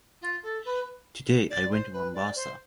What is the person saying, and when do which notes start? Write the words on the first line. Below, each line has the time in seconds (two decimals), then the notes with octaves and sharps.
Today I went to Mombasa.
0.21 F4
0.43 A4
0.65 B4
1.50 D5
1.71 C5
1.93 B4
2.14 D5
2.36 C5